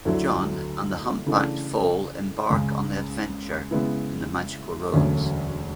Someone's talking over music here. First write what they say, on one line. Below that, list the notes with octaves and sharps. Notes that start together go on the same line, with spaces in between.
John and the Humpbacked Foal embark on an adventure in the Magical Roads.
D2 D3 F#3 A3 E4
C#3 E3 A3 D4
C#2 C#3 G#3
C#3 G#3 B3 E4
E1 D2 D3 F#3 C#4